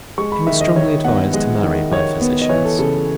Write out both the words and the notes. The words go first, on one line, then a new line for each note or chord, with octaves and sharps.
He was strongly advised to marry by physicians.
G#3 C#6
B5
D#3 E5
D#5
D#3 C#5
B3 F#5
G#3 D#5
D#3
D#3 C#5
B3
D#5
E3 C#5
A4
C#3 A4